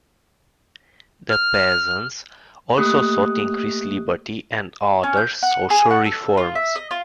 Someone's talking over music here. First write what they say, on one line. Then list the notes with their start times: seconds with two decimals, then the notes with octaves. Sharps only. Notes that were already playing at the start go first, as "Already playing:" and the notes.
The peasants also sought increased liberty and other social reforms.
1.30 F6
2.78 A3 A#3 G4 D#6 F#6
5.03 C#4
5.17 G6
5.43 F#5
5.70 G#4
5.91 F#5
6.05 A4
6.37 F4
6.55 E5
6.76 D#5
6.91 F4